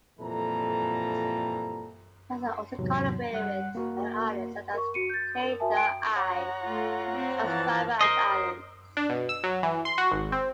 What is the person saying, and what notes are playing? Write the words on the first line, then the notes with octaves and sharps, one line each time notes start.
He has also collaborated with other artists such as K-the-I???, Busdriver and Islands.
F2 A#2 E3 G3 A4 A#5
E2 G#2 C3 F#3
G3 F#5 F#6
A#3 F#4 A#4
A#4 C#6
F#4 C#7 D#7
G6 A6
A#4
F#4 A#4 E5 G#5 A5
G5 D7
C#5 F#5 A#5
A3 F4
C4
E3 F3 A5
A#4 C5 D#5
D4
B2
E6
F#3
E3
C6
F#4
G#1
C4